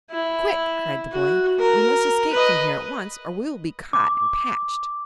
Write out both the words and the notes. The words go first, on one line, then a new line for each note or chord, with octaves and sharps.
"Quick!" cried the boy; "we must escape from here at once or we will be caught and patched."
E4
F#4
A#4
B4 D#5
D6